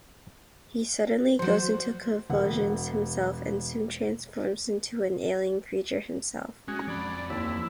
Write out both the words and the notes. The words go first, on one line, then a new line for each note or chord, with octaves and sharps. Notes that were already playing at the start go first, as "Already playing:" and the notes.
He suddenly goes into convulsions himself and soon transforms into an alien creature himself.
F#3 G3 C5
E1 F#5
G#3 C#4 F#4
F2 D5 B5
D#2 E4